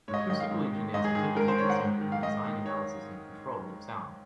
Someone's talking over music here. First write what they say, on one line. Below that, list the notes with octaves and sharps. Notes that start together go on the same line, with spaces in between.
Acoustical engineers are typically concerned with the design, analysis and control of sound.
G#2 C#5
D#5
C#5
D#3 D#5
F5
G#2
D#3
G#2 D#5
G#4
D#3 G#4
G#2 A#4
C5
D#3 C#5
F#5
G#2
D#3
F5
G#2 D#5
D#3
C#5